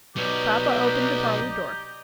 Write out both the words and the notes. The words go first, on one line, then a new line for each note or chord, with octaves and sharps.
Papa opened the parlor door.
B1 F#3 G4 B4 D5 D#5 A#5